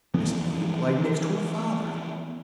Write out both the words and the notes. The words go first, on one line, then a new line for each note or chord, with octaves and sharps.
Miss Neelie applied next to her father.
E3 F3 B3 C#4